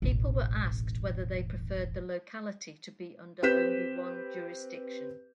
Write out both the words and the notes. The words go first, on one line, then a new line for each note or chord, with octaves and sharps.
People were asked whether they preferred the locality to be under only one jurisdiction.
E1 A1
C4 G4 B4 G6 B6 E7